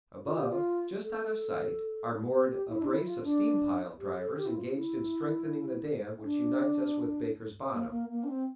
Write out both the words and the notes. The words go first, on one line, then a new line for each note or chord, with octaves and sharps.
Above, just out of sight, are moored a brace of steam pile-drivers engaged in strengthening the dam which unites us with Baker's Bottom.
F4
G4
F4
A4
G4
E4
D4
E4
F4
D4
G4
A4
G4
E4
F4
E4
D4
A#3
A#3
A#3
D4
C4